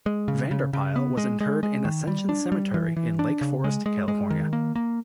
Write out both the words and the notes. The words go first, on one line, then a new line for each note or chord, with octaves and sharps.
Vander Pyl was interred in Ascension Cemetery in Lake Forest, California.
G#3
C#3
C#3
C#3
B3
G#3
G#3
G#3
D#3
G3
D4
G3
E3
E3
D4
C#3
G#3
G#3
G#3
D#3
A#3
A#3